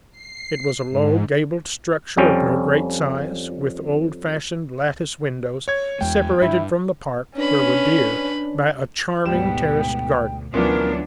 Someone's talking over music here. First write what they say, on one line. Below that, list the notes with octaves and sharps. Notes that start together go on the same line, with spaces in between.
It was a low, gabled structure of no great size, with old-fashioned lattice windows, separated from the park, where were deer, by a charming terraced garden.
C7
G#2
F2 F3 G3 C#4 G5
C#5 G#6
E2 G#3 G5
G2 E4
C#4 D4 B4 B5
D2 G#2 B2 G3 B3 G5 E7
D2 E3 F#3 B3 C#4 D4 F4 A#4